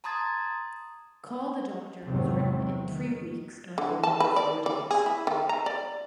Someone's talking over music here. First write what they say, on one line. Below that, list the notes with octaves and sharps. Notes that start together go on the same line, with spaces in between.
"Call the Doctor" was written in three weeks and recorded in four days.
A5 A#5 C6 D#6 G#6 A6
E2 G#2 C3 D#3 F#3 C4
D#3
D3
A5
B4
D5
D5
G#4
E4
D#3
A#5
D5